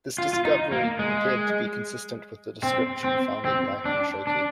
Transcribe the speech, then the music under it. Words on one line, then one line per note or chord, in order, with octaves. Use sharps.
This discovery appeared to be consistent with the description found in "Nihon Shoki".
F4
F4
D#4
A#3
G#3
C4
C4
C4
D4
D4